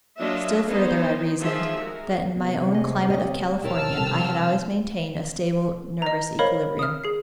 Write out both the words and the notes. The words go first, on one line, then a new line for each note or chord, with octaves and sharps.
Still further, I reasoned that in my own climate of California I had always maintained a stable nervous equilibrium.
F#3 A#3 D4 F4 D#5 E5
B3 D#4 C5 C#5
D#3 F3 F4 G#4 E5
G#3 F#4 A#4
C3 B3
G#4 D#5
D2 G3 G4 C#5 D#5
D#2 B2 E4 A#4 A5 E6 F6
C3 D#3 G3 C4 A4
D#5 A#5
A#4 C5 C#5 D#5 F5 B5
D#6 F6
G#4 C7